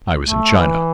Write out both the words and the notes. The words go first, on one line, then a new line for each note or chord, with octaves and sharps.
I was in China.
A3
E3